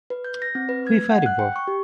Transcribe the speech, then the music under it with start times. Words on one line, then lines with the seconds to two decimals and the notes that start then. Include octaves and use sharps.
Who You Fighting For?
0.10 B4
0.24 G6
0.42 A#6
0.55 C4
0.69 B4
0.87 G#6
1.10 F#5
1.26 F#6
1.39 G5
1.56 C#6
1.67 G4